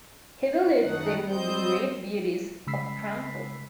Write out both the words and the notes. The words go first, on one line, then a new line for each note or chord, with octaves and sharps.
He believes they will be great beauties of Cranford.
F#2 D#3 A3 D#4 F#5
G3 C4 C5 D#5 G6
C#3 G#3 B5 E6 B6 C7